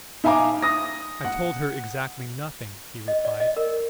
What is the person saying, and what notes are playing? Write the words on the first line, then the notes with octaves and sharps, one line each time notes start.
"I've told her exactly nothing," he replied.
D#4 E5 F5 G#5 A#5 D6
D#6 A#6
F#5
D#5
D5
D#5
A#4